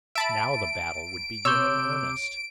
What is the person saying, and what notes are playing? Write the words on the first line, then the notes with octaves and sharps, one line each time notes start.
Now the battle would begin in earnest.
E5 A5 B5 D7
C3 C#5 E6 G6